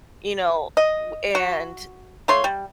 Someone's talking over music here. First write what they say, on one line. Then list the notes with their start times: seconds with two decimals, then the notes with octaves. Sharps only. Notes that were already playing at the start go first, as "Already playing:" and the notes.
you know, w and,
0.77 D#5
1.35 F#4
2.28 A3 F4 C#5 C6
2.44 G3